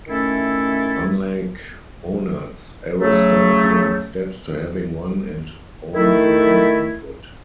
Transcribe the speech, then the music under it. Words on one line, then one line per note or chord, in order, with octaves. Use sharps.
Unlike monads, arrows don't limit steps to having one and only one input.
D#3 A3 C#4 E4 A4
C#3 F#3 A3
D#3 A3 E4 A4